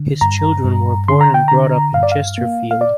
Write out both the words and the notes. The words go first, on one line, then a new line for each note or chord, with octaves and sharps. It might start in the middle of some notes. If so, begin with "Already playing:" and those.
His children were born and brought up in Chesterfield.
Already playing: D3
G2 A#5
G2
D3 C6
A#5
G5
D3 A#5
G2 F5
D5
F5
A#3
F5
D5